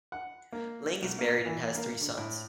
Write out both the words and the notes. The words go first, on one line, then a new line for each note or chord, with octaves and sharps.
Ling is married and has three sons.
F#5
A#3
B1
A#3
E3
A#3
D3
A2